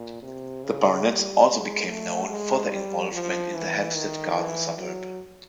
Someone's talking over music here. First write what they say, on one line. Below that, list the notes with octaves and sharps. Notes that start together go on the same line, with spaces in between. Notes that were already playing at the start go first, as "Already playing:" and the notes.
The Barnetts also became known for their involvement in the Hampstead Garden Suburb.
Already playing: A#2
C3
C#3
G3
G#3
A3
G#3
G3
F3
E3
D#3
E3
F#3